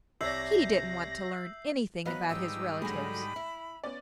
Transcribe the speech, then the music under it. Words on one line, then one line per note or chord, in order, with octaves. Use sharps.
He didn't want to learn anything about his relatives.
C2 C#5 D5 E5 G6 A#6 C7 F#7
F#3 B3 B4 D#5 F5
G#2 G3 D#4 E6
D3 F#3 G#3 G#5 B5 A#6
E4 E5
B3 C#4 D5